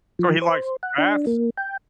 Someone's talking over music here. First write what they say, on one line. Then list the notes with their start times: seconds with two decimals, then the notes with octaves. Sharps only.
So, he likes baths?
0.19 F3
0.42 C5
0.83 F#5
0.98 D4
1.27 A#3
1.58 G5